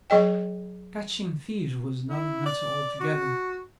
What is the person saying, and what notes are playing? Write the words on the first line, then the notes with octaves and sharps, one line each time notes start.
Catching thieves was another matter altogether.
F#3 G#4 D#5 G5
E4
D5
F#4